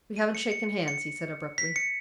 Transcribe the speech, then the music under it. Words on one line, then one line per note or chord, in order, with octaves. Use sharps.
"We haven't shaken hands," he said, abruptly.
D#7
C#7
C#7
C#7
B6
C#7